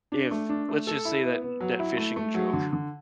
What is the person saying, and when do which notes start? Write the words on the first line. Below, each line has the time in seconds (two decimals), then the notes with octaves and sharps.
if let's just say that that fishing joke,
0.12 D4
0.31 A3
0.49 D4
0.69 A3
0.87 A4
1.05 E4
1.24 B3
1.42 B3
1.60 F#3
1.79 E4
1.97 A3
2.16 A3
2.34 F#3
2.53 D3
2.73 D3